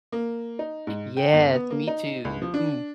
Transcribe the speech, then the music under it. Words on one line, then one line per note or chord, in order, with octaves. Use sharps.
Yes, me too. Mm.
A#3
D#4
G#2
G5
G1
B3
A#3
D#4
C#2
F3
D4